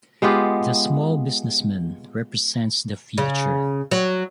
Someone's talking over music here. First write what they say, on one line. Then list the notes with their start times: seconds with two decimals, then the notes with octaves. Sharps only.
The "Small Businessman" represents the future.
0.22 G#3 B3 F4 G4
3.18 C#3
3.91 F#3